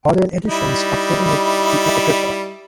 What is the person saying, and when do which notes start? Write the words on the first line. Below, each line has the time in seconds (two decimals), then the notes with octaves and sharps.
Modern editions often omit the Apocrypha.
0.46 G3 D#4 E4